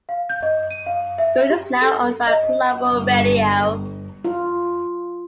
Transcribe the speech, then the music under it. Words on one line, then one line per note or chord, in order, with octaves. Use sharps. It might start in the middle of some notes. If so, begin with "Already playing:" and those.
Gold is now owned by Global Radio.
F5
G6
D#5
D#7
F5
E5
G4
A4
D#5
D#5
G1
F4